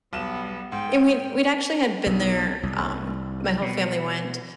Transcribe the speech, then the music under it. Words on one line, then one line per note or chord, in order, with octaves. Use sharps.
And we'd we'd actually had been there, um, my whole family went
B1 G3 B3 E7
G#2 G5
B1
C2
B2